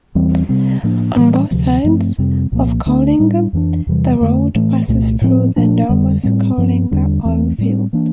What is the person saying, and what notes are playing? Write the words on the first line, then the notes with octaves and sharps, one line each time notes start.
On both sides of Coalinga the road passes through the enormous Coalinga Oil Field.
E2 E3 G3 C4
C3 G3 C4
A2 F3 A#3 D4
A2 E3 G3
D2 C3 F3 A3
G2 F3 A3 C4
F2 C3 G3 C4
C2 A#2 F3 A#3
D2 D3 A3 D4
A2 G3 D4
F2 E3 A#3 D4
E2 C3 E3 G3
F2 D3 A3
A2 E3 A3
C2 A#2 A3
A2 F3 C4
A#2 F3 A3 D4
F2 D3 G3
A2 G3 C4
G2 F3 C4
E2 D3 G3 D4
E2 E3 A3 C4
A2 G3 C4
E3 A#3 D4